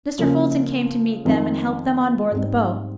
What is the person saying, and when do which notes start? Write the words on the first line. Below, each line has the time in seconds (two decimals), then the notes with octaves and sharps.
Mr. Fulton came to meet them and helped them on board the boat.
0.19 C#3 F3 A#3 C#4
1.25 F2 D#3 G#3 C4 D#4
2.31 G#2 G3 C4